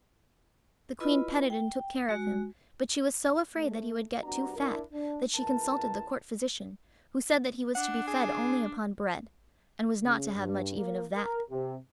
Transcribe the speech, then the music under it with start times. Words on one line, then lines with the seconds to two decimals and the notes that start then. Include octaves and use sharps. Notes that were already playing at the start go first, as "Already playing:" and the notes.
The Queen petted and took care of him, but she was so afraid that he would get too fat that she consulted the court physician, who said that he was to be fed only upon bread, and was not to have much even of that.
1.00 E4 F4 B4 D#5 B5
1.50 G5
2.09 G#3 F#4
3.55 A3
4.24 C2 C3 B3 D4 F#4 A#5
4.56 D4 E4 A#4
4.92 D4
5.36 C#2 E4 A#4 B4 A5
7.75 D4 F#5
8.08 G#4
10.02 C#3
10.34 G2
10.77 A#3
11.13 A#4
11.51 C3